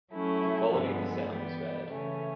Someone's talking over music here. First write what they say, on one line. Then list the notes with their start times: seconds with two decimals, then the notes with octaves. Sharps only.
The quality of the sound was bad.
0.13 F#3 A3 C#4 E4
0.70 G2 D3 F3 G#3 B3
1.29 E3 G3 B3
1.87 C#3 E3 A3 C#4